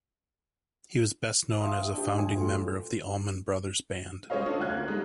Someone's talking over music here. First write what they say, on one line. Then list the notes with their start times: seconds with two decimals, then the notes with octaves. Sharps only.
He was best known as a founding member of The Allman Brothers Band.
1.61 E5 F5 G5 A5 C6 D#6
1.78 C5 E5
1.94 D4 G4
2.18 E1 G#5
2.35 A2 F4 F#4 A4
4.30 G#3 C#4 C5 C#5 D#5 F5
4.46 C#4 D4 F4 A4
4.60 D2 F5 F#6 G#6
4.75 A#3
4.88 G3 G#3 D#4